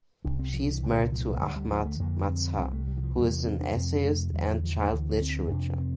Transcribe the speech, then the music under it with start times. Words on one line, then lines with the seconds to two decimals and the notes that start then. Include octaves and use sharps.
She is married to Ahmad Mazhar who is an essayist and child literature.
0.24 C2 C3 D4
0.39 C4
0.54 F3
0.68 E3
0.83 C2 A#2 D3
1.12 F3
1.21 E3
1.29 F3
1.36 A3
1.41 D2 D3 G3
1.56 G3
1.71 F3
1.86 A3
2.00 F2 D3 A#3
2.29 C4
2.58 C2 C3 C4
2.73 A3
2.87 G3
2.97 E3
3.03 F3
3.16 E2 C3 G3
3.46 C4
3.61 D4
3.75 F2 C3 C4
4.04 A3
4.34 E2 D3 G3
4.49 F3
4.63 F3
4.78 A3
4.92 D2 D3 E3
5.22 C4
5.51 F2 C3 D4
5.80 C4